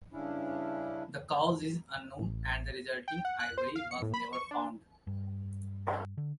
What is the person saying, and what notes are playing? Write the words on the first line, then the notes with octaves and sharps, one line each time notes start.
The cause is unknown and the resulting ivory was never found.
G2 C#3 C#4 D4 E4
A1
G5
F#5
F#6
C5
F5
C#7
A2
B5
C#6
D4
G2
D3